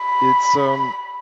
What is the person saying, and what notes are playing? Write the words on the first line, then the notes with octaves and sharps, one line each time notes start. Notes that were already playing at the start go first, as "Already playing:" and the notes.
it's, um,
Already playing: B5